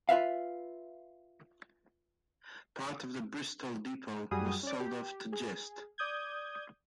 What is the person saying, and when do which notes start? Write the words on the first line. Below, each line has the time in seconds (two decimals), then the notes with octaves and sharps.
Part of the Bristol depot was sold off to Gist.
0.09 F4 B4 E5 F5
4.31 F#2 G3 F#4 G#4 D#6
4.63 C#4 D5
4.80 G4
5.32 G#4
5.98 D5 D#6 G6 G#6